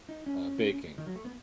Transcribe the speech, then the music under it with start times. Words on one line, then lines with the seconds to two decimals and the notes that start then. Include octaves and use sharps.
uh, baking,
0.09 D#4
0.26 C#4
0.98 D#3
1.07 F#3
1.16 A3
1.25 B3